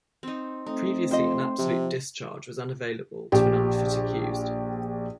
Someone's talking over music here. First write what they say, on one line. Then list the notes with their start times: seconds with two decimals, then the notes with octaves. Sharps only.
Previously an absolute discharge was unavailable to an unfit accused.
0.23 C4 D#4
0.66 A3 C4 D#4
1.11 F2 G4 C5 D#5
1.59 C3 F3
3.32 A#1 G4